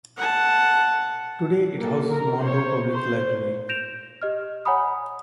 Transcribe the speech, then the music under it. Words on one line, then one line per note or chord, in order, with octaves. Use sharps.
Today it houses Monroe Public Library.
F#5 A5
A#3 A4
A#4 A#5
C5 C#5
C5
G6 A#6 D7 E7 F7
G4 D#5 F6
C#5 F#5 G#5 A#5 B5 D#6